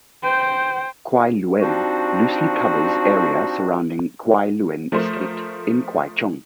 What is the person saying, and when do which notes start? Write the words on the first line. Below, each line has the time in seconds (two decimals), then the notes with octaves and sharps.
Kwai Luen loosely covers area surrounding Kwai Luen Estate in Kwai Chung.
0.23 C5 G5
1.61 F3 G3 C4 D4 D#4 F#4
4.92 F3 A3 A#4 C5